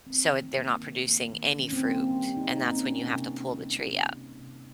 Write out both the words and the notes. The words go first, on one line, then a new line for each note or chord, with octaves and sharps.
So, it they're not producing any fruit, and that's when you have to pull the tree up.
D#3 C4
D#3
A#3
D#3
A#3
D#3
D#3 C#4
C4
G3 A#3
C4
G3
D#3 D#4
A#3
C4
C#4
A#3
C3
C3
G3
C3
C3
C3